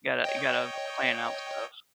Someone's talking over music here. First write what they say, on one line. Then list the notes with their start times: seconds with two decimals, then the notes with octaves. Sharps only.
Gotta you gotta plan out stuff.
0.24 C#5 D#5 G5